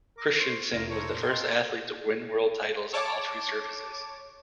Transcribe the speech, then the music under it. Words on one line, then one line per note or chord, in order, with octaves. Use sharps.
Kristiansen was the first athlete to win World titles on all three surfaces.
A#4 D6
C5 C#6
F1 F4 A#4
A4 A#4 C5 C#5
A#2
F4 D#5 G5 F#6
C#5 A5 D6